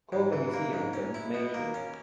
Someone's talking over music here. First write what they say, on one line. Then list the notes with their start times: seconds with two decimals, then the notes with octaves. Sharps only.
Call the museum for information.
0.12 G#2
0.33 E3
0.54 A#3
0.73 G#2
0.93 C#4
1.14 E4
1.34 B2
1.54 A#3
1.74 C#4